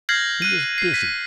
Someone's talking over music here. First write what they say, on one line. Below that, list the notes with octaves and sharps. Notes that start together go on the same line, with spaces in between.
"He is busy."
F6 G6 G#6 A#6 C7 F#7
F#6 D#7
C7
B6